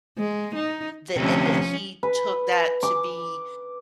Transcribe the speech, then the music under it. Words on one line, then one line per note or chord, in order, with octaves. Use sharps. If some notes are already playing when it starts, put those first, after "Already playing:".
that and that he took that to be
G#3
D#4
D2 C3 F3 C#4
B4
D6